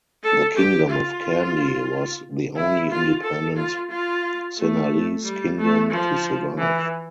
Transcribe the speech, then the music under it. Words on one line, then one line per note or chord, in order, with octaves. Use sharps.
The Kingdom of Kandy was the only independent Sinhalese kingdom to survive.
A4
G4
F4
E4
F4
A4
F4
F4
A3
G3
A3
F3
E3